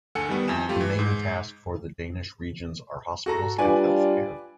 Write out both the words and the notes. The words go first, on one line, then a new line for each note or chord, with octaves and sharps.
The main task for the Danish regions are hospitals and healthcare.
D2 A4 F#5 G#5 C#7
D#3 G3 B3
F2 E4 G#5 E7
A3 F4 G4
E3
G#2
F#4 A4 A#5
G3 D4 F4 B4 D5 G#5